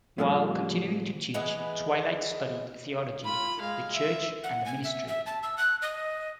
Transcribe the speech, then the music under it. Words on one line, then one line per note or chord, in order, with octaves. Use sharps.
While continuing to teach, Twilight studied theology, the church and the ministry.
A2 C3 D#3 F3 G3 G#3
E3 G#3 B3
F4 B5
G#3 F5
E5
F#5
G#5
E5
E5
A5
E6
F#6
D#5